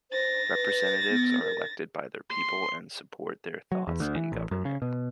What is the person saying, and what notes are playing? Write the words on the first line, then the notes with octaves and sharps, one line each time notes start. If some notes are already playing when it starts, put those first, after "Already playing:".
Representatives are elected by the people and support their thoughts in government.
C5 A6 A#6
B4
B3
A#4
C6
F#3
E2
D2
E3
A1
F#2
C#3
B2